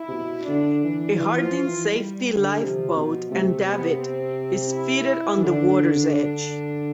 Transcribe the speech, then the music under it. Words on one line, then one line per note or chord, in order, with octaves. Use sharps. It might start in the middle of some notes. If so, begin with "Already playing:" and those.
A Harding safety lifeboat and davit is fitted on the water's edge.
Already playing: E4
C3
B2
D3 D4
E3
E3 F4
F3
E3
G3
D3
C3 F3
B2
C3 A3
B3
C4
E4
E3
D3 D4
D4